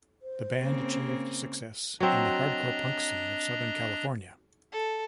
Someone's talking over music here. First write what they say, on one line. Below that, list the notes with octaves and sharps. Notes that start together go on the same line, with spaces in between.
The band achieved success in the hardcore punk scene of Southern California.
C5
C#3 A#3 C4
F#3 C4 D4 D#5 A#5
A4